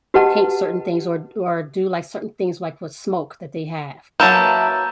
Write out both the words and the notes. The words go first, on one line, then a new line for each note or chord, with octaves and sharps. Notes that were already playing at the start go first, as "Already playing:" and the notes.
paint certain things or d or do like, certain things, like, with smoke that they have,
F#4 G4 B4 D#5 F#5 A5
F#3 A#3 B4 E5 A5 A#5 G6